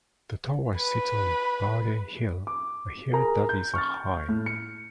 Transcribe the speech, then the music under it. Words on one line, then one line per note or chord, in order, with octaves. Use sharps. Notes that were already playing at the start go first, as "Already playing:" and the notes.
The tower sits on Baden Hill, a hill that is a high.
B4
D6
G#4 A#4 A#5
G6
C#6 F6 A6
A2
C#7